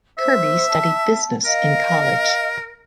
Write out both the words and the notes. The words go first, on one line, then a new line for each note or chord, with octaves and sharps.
Kirby studied business in college.
C5 E5
A5
A#4 D#5 F5